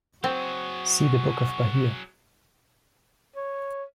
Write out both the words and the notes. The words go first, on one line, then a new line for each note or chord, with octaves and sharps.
See The Book of Bahir.
F#3 C4 F#4 G#4
C#5